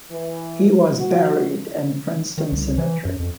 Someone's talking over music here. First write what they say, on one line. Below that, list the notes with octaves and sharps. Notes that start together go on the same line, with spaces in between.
He was buried in Princeton Cemetery.
E3
F#4
D#3
C2
E3
F#2
F2